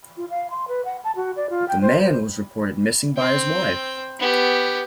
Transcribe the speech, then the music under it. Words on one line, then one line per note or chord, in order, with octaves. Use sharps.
The man was reported missing by his wife.
F4
F5
C6
B4
F#5
A5
F#4
D5
F4
G5
C5
C5
C4 G5
B3 G4